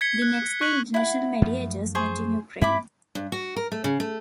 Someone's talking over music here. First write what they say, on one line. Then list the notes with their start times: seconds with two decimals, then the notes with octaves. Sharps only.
The next day international mediators met in Ukraine.
0.01 G#6 B6 C#7 G7
0.22 F#6
0.61 C#6 F#6 B6 F#7
0.94 E4 F#5
1.42 F#2 F3 A3
1.95 G#4 C5 C#6
2.62 G2 C4 E4 B5 D6
3.15 G2
3.32 F#4
3.56 A#4
3.72 A3
3.84 C#3
4.00 A3